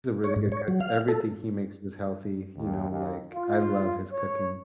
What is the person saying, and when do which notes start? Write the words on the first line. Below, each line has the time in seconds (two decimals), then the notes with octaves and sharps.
He's a really good cook. Everything he makes is healthy, you know, like, I love his cooking.
0.24 C#5
0.36 G#2
0.52 C#5
0.68 F#3
0.80 F5
1.08 A4
2.56 D#2
2.88 D#2
3.32 F4
4.11 C#5